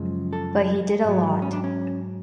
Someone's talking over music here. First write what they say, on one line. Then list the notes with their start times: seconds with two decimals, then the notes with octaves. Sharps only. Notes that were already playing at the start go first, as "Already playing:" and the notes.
But he did a lot.
Already playing: F#2 C#3 F3 G#3
0.33 A4
1.04 G#2 F#3
1.42 C#4
1.53 D4
1.64 C#4